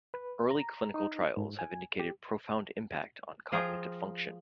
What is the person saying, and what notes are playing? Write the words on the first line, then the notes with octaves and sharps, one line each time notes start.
Early clinical trials have indicated profound impact on cognitive function.
B4
A#5
D#4
G#2
G#5
G4
F3 F4 G#4 G5 A#5